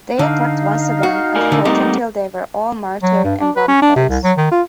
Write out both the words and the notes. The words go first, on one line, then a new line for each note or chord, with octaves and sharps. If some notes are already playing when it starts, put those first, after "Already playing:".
They attacked once again and fought until they were all martyred in one place.
D3 D#4 F5
F#4
A#4 D5 G#5
D3
G3 A3 A#3 C4 D#4
F#3
G2
D4
B4
C#4
D4
C3
C2
F#3
D#3
F4